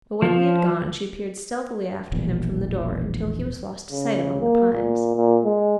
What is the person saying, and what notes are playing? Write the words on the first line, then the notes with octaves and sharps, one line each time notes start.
But when he had gone she peered stealthily after him from the door until he was lost to sight among the pines.
F3
E1 A#1 E2
C#3
A#3
A#2
A#2
G#3